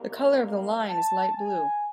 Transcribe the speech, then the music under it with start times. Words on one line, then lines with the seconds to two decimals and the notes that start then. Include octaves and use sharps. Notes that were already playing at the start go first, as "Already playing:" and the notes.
The color of the line is light blue.
Already playing: C2 B2 G3 A#3
0.13 E5
0.43 F5
0.89 A5
1.36 G#5